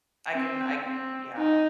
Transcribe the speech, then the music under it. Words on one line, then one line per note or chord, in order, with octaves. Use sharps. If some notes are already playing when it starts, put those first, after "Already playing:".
I can I can Yeah.
C4
C4
D#4